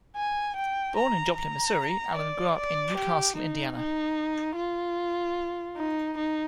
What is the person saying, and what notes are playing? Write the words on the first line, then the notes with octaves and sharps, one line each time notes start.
Born in Joplin, Missouri, Allen grew up in New Castle, Indiana.
G#5
G5
A#5
A#5
D5
D5
G4
D#4
D#4
F4
D#4
D#4